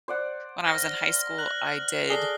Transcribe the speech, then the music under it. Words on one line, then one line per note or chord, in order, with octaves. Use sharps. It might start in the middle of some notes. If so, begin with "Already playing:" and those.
when I was in high school, I did
C5 D5 F#5
F6 A#6
F#6 F#7
G#4 A4 D5 A#6 C7 G7